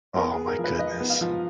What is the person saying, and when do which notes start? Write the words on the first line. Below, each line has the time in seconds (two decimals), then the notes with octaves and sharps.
Oh my goodness.
0.17 B3 A#4
0.32 G#4
0.38 B3
0.48 A#4
0.59 F3
0.64 B4
0.79 F3 D#5
1.00 B3
1.10 F5
1.21 F3